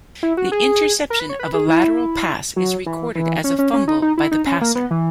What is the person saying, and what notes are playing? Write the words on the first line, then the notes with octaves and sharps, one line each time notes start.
The interception of a lateral pass is recorded as a fumble by the passer.
E4
F#4
G#4
A#4
B4
C#5
B4
G#4
E4
F#3
E3
E3
C#4
C#4
C#4
D#4
D#4
E4
D#4
C#4
A#3
B3
E3